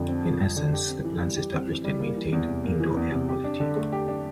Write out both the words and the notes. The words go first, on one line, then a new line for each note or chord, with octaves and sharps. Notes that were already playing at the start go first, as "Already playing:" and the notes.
In essence, the plants established and maintained indoor air quality.
Already playing: F2 D3 F3
C4
F3
F2
D3
G4
C4
E3
G3
G4
C4
E3
G3
A#3
E3
E2
C3
A#3
E3
E2
C3
G4
D4
D3
A3
G4
D4